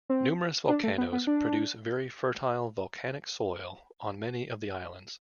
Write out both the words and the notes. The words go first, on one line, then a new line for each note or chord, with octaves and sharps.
Numerous volcanoes produce very fertile volcanic soil on many of the islands.
C4
D4
A3
B3
B3
D4